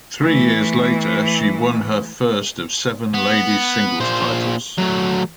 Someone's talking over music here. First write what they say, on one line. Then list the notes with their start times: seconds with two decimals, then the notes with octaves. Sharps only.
Three years later, she won her first of seven ladies singles titles.
0.22 E3 A3
3.14 B3
4.00 A#2 C5
4.78 F#3 A3